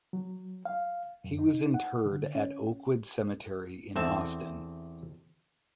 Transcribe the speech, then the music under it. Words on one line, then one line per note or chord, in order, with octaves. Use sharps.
He was interred at Oakwood Cemetery in Austin.
F#3
F5
F#2
D#4
F#5
D3
C#4
E2 C4 A4 E5 A5